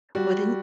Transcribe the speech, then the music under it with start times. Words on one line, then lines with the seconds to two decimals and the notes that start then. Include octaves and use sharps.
Well, then,
0.15 G3 F#4